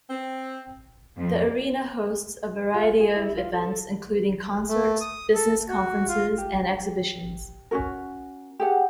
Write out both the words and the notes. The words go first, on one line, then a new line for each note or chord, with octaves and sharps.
The arena hosts a variety of events including concerts, business conferences and exhibitions.
C4
F2
F4
G#4
E4
F4
A4
A3
D#6
A4
F#4
F4
G4
C#4 D#4 F#4 A#4
G4 G#4 F#5